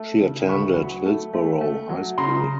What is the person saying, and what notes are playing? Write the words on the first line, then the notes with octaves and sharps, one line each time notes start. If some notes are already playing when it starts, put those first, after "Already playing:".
She attended Hillsborough High School.
Already playing: A3
C#3
D2 B5 C#6
F#3
A3
A3
A3
F#3
C#3 A#5 C6